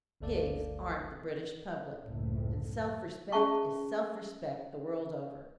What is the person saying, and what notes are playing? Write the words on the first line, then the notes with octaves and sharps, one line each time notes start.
Pigs aren't the British public; and self-respect is self-respect the world over.
G1 D2 A3 A4 D5 F5
F#1 C#2 A2 A3
C#4 G#4 E5 A5 C#6